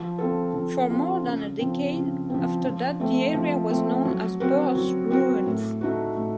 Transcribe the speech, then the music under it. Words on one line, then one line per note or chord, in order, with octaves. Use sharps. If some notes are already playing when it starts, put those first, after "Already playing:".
For more than a decade after that the area was known as Bird's Ruins.
Already playing: F3
C4 F4 A4
F3
C4 F4 A4
C#3
F3 C4
C#3
F3 C4
F3
A3 C4
F3
A3 C4
F#3
C4 F#4 A#4
F#3
C4 F#4 A#4
A2
A3 D#4 F#4
A2